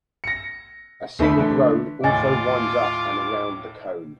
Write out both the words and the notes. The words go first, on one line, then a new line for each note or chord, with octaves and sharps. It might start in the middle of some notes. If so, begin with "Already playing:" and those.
A scenic road also winds up and around the cone.
A#6 C#7
D#2 A3 B3 E4 B5 B6
D3 E3 A3 D4
D#2 A2 F4 D#5 G#5 D6 A6